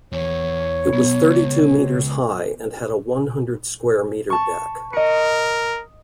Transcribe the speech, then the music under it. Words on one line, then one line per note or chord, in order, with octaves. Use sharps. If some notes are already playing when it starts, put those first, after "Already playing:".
It was thirty-two meters high, and had a one-hundred square meter deck.
E2 C#5
B1 B3
C#2
A5 C#6
A#4 D#5 C#7